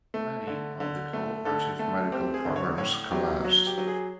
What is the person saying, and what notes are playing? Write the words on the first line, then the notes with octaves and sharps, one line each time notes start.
Many of the cooperative medical programs collapsed.
A3
D3
D3
A3
D3 A4
A3 A4
C4 G4
G#4
D3
C#5
A2 C#5
F#3 G4
F#3 F#4
G4
F#3
G#4